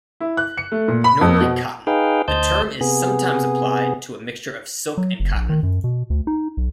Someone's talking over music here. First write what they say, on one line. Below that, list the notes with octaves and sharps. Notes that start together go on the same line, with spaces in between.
Normally cotton, the term is sometimes applied to a mixture of silk and cotton.
E4
F#6
C#7
A3
A#2
B5
F2
B2
D#4 G#4 B4 F5 G5
D2 C5 D#5 A5 G6
C3 B3 G#4
F#3
F#1
A#1
D#3
F#2
B2
D2
D#4
B1